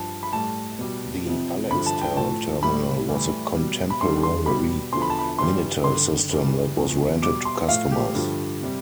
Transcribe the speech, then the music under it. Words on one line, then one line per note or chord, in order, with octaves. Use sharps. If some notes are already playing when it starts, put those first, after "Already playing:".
The "Alextel" terminal was a contemporary Minitel system that was rented to customers.
Already playing: G2 F3 A5
B5
A2 G3 A5
B2 G3
F2 C3 F3
G2 D3 F3 B5
A5
G5
A2 F3 A5
A2 G3 B5
A2 E3 G3
B2 G3
B5
E2 D3 G3 C6
C6
B2 G3 B5
E2 D3 F3 C6
B5
A5
B5
G2 E3 G3 C6
G2 D3 G3 C6
G2 E3 G3
E2 C3 F3
B2 G3 D6
C6
A2 F3 F5
G4
G2 D3 F3
C3 G3